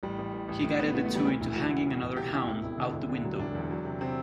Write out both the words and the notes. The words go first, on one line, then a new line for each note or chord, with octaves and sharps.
He guided the two into hanging another hound out the window.
A1 G3
A1
E3
A1
A1 A3
A1 B3
E3 B3
E3 A3
G3
D2
E1 E4
E3 F#4
D2
E3
E1
C3 G4
C3 E4
E1
E1 E4
D3
E1
D3
F#3
E1 D4
E2
F#3
C3
C3 C4